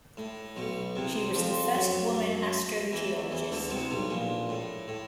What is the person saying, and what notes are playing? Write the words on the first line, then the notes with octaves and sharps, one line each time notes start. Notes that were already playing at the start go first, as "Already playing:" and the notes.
She was the first woman astrogeologist.
A2
B1 B2
C2 C3
F2 F3
F#2 F#3
F#2 F#3
E2 E3
E2 E3
D2 D3
C2 C3
B1 B2
A#1 A#2
A2
A2